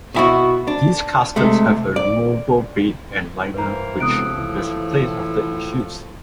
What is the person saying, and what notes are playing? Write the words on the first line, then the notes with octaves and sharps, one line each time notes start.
These caskets have a removable bed and liner which is replaced after each use.
B2 E4 F#4
D4
C3 G#3 A3
D5
G2 E3 A#3 B4 C5 A#5
E1 A2 C3 F3 D#6 F#6 D7
C#2 E3